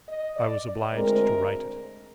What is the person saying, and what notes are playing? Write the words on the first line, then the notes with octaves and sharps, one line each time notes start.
I was obliged to write it.
D#5
D5
D2 D3 G#3 C4 A#4